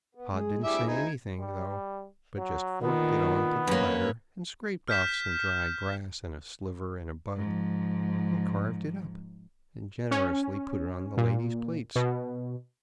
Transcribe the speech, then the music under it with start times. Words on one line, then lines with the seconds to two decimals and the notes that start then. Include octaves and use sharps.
Pod didn't say anything, though, but just forked it on to the platter and scraped off some dry grass and a sliver and a bug, and carved it up and generously put it on the ladies' plates.
0.15 B3
0.31 G#3 G#4
0.64 D2 G3 E4 G#4 E5 D6
0.88 D#4 G#6
1.40 G3
2.37 F#3
2.82 A#2 D#3 B3
3.67 F#2 A#3 B4 C#5
4.88 F6 G6 B6 E7
7.36 G#2 F3
10.11 C#4
11.17 A#2
11.96 B2